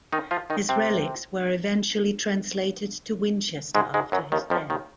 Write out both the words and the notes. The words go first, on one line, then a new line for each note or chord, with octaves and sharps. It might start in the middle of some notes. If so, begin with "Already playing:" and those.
His relics were eventually translated to Winchester after his death.
D#3 D#4
F3 F4
D#3 D#4
C3 C4
G#2 G#3
G#2 G#3
F#2 F#3
D#2 D#3
F2 F3
D#2 D#3